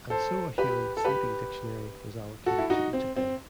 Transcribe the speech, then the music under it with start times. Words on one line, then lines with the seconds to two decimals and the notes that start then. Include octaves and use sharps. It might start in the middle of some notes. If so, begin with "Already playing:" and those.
And so a human "sleeping dictionary" was allocated to each of them.
0.10 A4 C5
0.58 G4 B4
0.97 A4
1.05 G4 B4
2.46 F#4 A4
2.58 E4
2.70 D#4 F#4
2.93 C4
3.16 C4